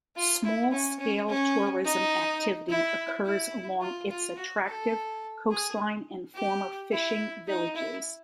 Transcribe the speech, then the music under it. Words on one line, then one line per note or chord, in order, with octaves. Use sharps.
Small scale tourism activity occurs along its attractive coastline and former fishing villages.
F4
E4
C#4
C#4
C#4
D#4
E4
E4
F4
F4
F#4
A4
G#4
G4
E4
D#4
E4